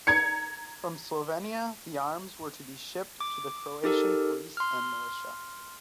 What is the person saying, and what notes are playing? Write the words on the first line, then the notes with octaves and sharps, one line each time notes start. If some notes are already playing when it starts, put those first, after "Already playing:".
From Slovenia the arms were to be shipped to the Croatian police and militia.
A#5 G#6 C#7
D6
D#4 G4 A4 A#4
C6 F6